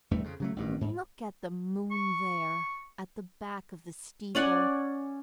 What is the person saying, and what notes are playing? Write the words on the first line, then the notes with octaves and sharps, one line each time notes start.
Look at the moon there at the back of the steeple.
F1 E2 G2 A3
F2 C#3
C#3 F#3 A3
A1 D2 G2 D#3
G#2
C#6
C#4 D5 F#5 G#5